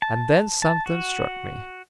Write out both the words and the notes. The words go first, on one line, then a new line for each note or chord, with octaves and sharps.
And then something struck me.
A5
A5
F#4